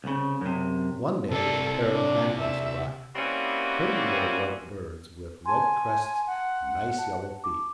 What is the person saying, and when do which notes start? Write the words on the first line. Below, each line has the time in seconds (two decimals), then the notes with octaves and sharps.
One day, a pair of bantams arrived,--pretty little white birds, with red crests and nice yellow feet.
0.04 C2 C#3
0.41 F#2 C3
1.31 C3 A4 D5
1.87 D4
2.40 E5
3.15 G3 A#3 C4 C#4 E4 F#4
5.46 G#5 A5 C6
6.27 F#5
6.98 A5
7.44 D6